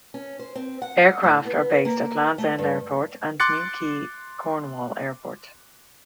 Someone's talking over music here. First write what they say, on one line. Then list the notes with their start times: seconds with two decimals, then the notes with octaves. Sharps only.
Aircraft are based at Land's End Airport and Newquay Cornwall Airport.
0.14 C#4
0.39 C5
0.55 C4
0.82 F#5
1.24 A2
1.45 B3
1.85 A#3
2.38 A3
2.58 G2
3.40 C6 D6 F#6 A6 C#7